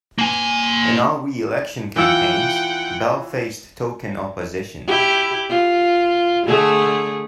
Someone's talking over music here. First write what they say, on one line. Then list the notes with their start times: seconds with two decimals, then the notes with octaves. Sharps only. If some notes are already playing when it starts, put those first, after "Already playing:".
In all re-election campaigns, Bell faced token opposition.
0.18 A#3 G#5
1.96 E3 F4 F#5 G5 E6
4.87 E4 G4
5.49 F4
6.46 D3 A3 G#4